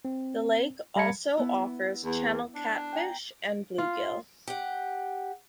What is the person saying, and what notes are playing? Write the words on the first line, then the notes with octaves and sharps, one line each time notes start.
The lake also offers channel catfish and bluegill.
C4
G3 F5 A#5 B5 G#6 C#7
B3 E4
E2
D4
G5 G#5 A#5
F4
G4 F#5